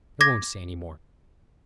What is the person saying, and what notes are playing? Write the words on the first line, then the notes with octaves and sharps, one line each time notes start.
I won't say any more.
D6 G#6 A#6